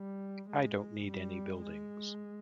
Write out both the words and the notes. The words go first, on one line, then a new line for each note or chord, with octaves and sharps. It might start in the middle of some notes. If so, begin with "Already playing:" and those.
I don't need any buildings.
Already playing: G3
G#3
G3
G#3